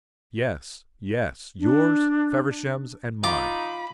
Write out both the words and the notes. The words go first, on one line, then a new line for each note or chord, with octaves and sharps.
Yes--yes, yours, Feversham's, and mine.
D4
D#4 F4 B5 D6